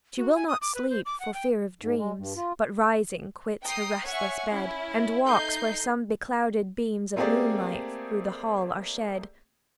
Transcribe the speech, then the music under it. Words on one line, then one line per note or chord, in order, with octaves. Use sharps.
She will not sleep, for fear of dreams, But, rising, quits her restless bed, And walks where some beclouded beams Of moonlight through the hall are shed.
F#4
G#5
D#6
D6
B4
C5
D6
F#5
G5
G#2
G#3
G2
F4
G5 A#5 D#6 C7
C#5 E5 F#5 G#5 C#6
C#4 E4
A3 D#4 D#5 G6 C7
A3 A#3 C4 G4 G#4 D5